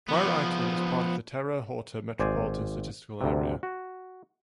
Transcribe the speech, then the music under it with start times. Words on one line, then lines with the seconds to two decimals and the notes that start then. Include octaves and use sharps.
Prairieton is part of the Terre Haute Metropolitan Statistical Area.
0.09 F3 B3
2.19 G#1 C5 D5 G#5
3.21 D2 C3
3.63 F#4